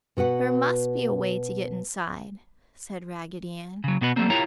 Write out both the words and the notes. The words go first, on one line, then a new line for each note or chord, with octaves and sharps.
"There must be a way to get inside," said Raggedy Ann.
B2 F#4 B4 F#5
C#3 F#3
B2 B3 F#4 B4
F#3 G3 A3 A#3 C4
E4 F4 G4 A#4 C#5 A#5